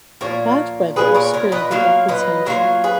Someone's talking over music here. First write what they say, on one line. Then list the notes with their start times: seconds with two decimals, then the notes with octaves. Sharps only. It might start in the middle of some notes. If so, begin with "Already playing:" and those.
Bad weather obscured the occultation.
0.21 A#2 F3 A#3 A#4 C#5
0.96 A#2 F3 A#3 F4 G#4 B4
1.15 A#4 C#5
1.33 A#4 C#5
1.52 B4 D#5
1.71 F#3 A#3 F4 C#5 F5
2.08 B4 D#5
2.46 F#3 A#3 F4 A#4 C#5
2.84 G#4 B4